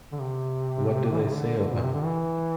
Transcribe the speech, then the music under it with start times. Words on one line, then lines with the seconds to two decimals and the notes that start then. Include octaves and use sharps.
What do they say of him?
0.12 D3
0.20 C3
1.12 E3
1.18 D3
1.25 C3
1.32 D3
1.57 D3
1.73 A#2
1.83 C3
1.94 D3
2.04 E3